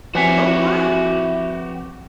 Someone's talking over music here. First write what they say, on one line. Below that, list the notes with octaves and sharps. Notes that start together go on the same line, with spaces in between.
Oh, why?
F3 C4 E4 F#4 G4 B4 C#5 G#5